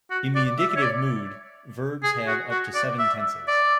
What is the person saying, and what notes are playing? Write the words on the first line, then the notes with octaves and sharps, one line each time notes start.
In the indicative mood, verbs have up to seven tenses.
F#4
D5
E5
C#5
D5
G#4
F#4
F#4
D5
E5
D5